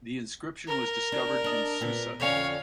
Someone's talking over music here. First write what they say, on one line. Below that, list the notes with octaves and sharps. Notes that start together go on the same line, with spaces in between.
The inscription was discovered in Susa.
A#4
D4
D4 D#5
A#2 B3
F2 D3 C#4 C#5 F5